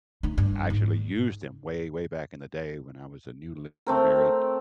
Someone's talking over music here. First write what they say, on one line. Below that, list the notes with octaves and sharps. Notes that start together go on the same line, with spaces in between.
actually used them way, way back in the day when I was a newly married
A3 D#4
G2
G#2
A3 C4 A#4